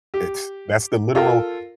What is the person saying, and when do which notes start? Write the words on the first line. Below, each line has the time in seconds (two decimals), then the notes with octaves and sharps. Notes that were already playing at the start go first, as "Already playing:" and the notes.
It's that's the literal
0.14 G4
1.15 F4 A4 A#4